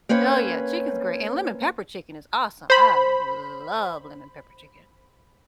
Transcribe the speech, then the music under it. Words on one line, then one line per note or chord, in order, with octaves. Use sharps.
Oh yeah, chicken's great, and lemon-pepper chicken is awesome. I love lemon-pepper chicken.
A#3 C4 C#4 B4 C#5
C5 B5